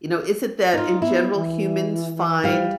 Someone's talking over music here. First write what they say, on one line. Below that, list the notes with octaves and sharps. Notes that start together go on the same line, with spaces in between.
You know, is it that in general humans find
D#4 F4
B3 E4
E3
F3 G3 F5